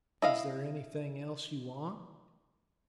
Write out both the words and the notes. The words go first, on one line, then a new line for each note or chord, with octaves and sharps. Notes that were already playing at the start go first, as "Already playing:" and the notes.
Is there anything else you want?
E4 D#5 F5